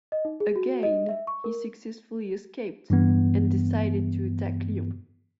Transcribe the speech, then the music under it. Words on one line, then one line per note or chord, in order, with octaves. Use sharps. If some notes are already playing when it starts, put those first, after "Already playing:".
Again, he successfully escaped, and decided to attack Lyon.
D#5
D#4
G#4
F#4
D#5
E5
C#6
A#4
G2 E3 B3